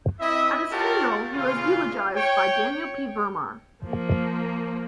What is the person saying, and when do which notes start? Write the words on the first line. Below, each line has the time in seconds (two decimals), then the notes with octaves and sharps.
At his funeral, he was eulogised by Daniel P. Virmar.
0.20 C4 E4 D#5 E5
0.71 F4 G4 A#4 C#5 F#5 A5
1.32 A#2 C#3 E3 F4
2.15 C#5 G5
3.84 F3 A#3